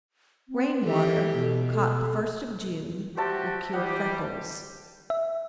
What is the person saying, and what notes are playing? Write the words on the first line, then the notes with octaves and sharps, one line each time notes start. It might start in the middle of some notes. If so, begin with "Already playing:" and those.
Rain-water caught the first of June will cure freckles.
C4
E3 G4 A4
B2
A4
F#4 G4 C5 E5 A5
E3 G3 G4 F#5
E5